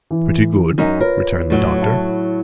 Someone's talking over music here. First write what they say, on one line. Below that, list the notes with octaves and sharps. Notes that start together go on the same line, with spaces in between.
"Pretty good," returned the Doctor.
E3
F#2 C#4 D#4
F4 A#4 B4 C#5
A2 F#3
E4 A5